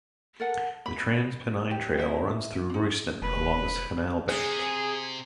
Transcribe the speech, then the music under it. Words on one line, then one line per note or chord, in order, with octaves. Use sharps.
The Trans Pennine Trail runs through Royston along the canal bank.
A4 A#4 F#5
B5
G4
E4 D#5 E5
D4 D#4
F1 B4
C3 G#4